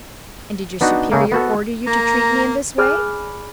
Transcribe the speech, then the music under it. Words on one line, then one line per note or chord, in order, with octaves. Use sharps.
"And did your superior order you to treat me in this way?"
B3 D4 D#4 F#4
C#3 A3 A#3
B3 F#4 A4
A#3 A#5
G#4 D5 B5 F6 F#6